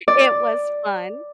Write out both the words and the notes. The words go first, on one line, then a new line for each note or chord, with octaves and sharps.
it was fun.
D5